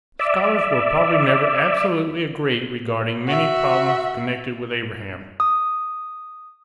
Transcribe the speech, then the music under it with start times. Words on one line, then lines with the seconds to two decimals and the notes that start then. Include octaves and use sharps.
Scholars will probably never absolutely agree regarding many problems connected with Abraham.
0.19 D5 E5
3.26 F#4 E5
5.40 D#6